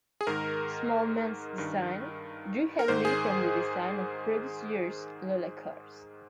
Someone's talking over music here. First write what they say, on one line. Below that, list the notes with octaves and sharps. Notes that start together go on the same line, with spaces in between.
Smallman's design drew heavily from the design of previous year's Lola cars.
G#4
G#2 D#3 A#4
G2 D#3
A#4
G#2 D#3 C5
G#4